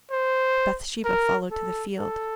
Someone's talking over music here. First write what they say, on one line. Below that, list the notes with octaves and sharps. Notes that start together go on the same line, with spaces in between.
Bathsheba followed to the field.
C5
A#4
A4
A4